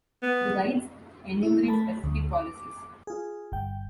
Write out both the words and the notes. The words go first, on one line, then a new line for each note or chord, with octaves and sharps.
The guides enumerate specific policies.
B3
E4
A3 A5 B5
D2
D6
F4 G#4
G1 G5